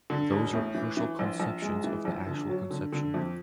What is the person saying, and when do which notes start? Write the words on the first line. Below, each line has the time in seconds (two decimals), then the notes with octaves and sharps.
Those are partial conceptions of the actual conception.
0.10 D3
0.31 E1
0.53 A2
0.75 E3
0.97 E3
1.19 A#1
1.40 A#1
1.62 G#3
1.84 E3
2.05 A#1
2.26 D3
2.49 F#3
2.70 D3
2.92 D3
3.14 F2